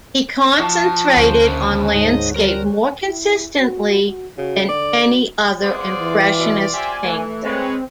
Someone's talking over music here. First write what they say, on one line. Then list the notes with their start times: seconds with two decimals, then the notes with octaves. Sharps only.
He concentrated on landscape more consistently than any other Impressionist painter.
0.59 F3 F#4 A5
1.17 D2 C#4 C5
1.48 D#2 C#3
1.93 G#2 D#5
2.36 G3 A#4
3.06 E4
3.59 F#4
4.07 F#4
4.38 C#3 F#4
4.69 D3 D5
5.06 F#4
5.62 B3 F4 G#4 C5 D5
6.00 E3
6.38 B2
6.74 G4 C5 E5 G#5
7.04 E3 A3
7.45 G#3 C4 B4 C#5